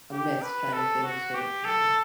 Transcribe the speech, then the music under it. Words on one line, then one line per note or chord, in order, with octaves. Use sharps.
a mess trying to finish it, and
G4
B4
A4
F#4
G4
A4